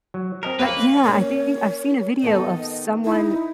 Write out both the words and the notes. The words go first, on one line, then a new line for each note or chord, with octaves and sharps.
but yeah, I think I've seen a video of someone,
F#3
C4 A#4 D#5 A5
A#3 B4 C#5 F5
A#3 C#4 C#5
D#3 B3 A4 D#5
D#4 E4